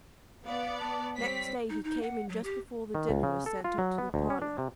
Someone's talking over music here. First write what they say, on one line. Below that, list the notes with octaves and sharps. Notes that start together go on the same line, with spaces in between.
Next day he came in just before the dinner was sent up to the parlour.
B3 D5 F5
A5
G3 C4 C#5 B6
D#4
D#4
F#5
F#3
G4
D#3
C#2
C#3
A4
F4
F#3
B3
D2
C#4
D4
C3